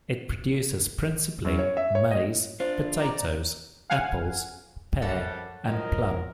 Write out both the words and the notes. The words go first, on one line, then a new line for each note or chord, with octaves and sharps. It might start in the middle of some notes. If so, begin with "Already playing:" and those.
It produces principally maize, potatoes, apples, pear and plum.
F#2
C#5
E5
C#5
D#5
D4 F4 C5 C6
D5 A#5
F5 F#5 G#5
F#2 F3 G3 A4 C#5 F#5
G2 F3 F#3 A#4 D#5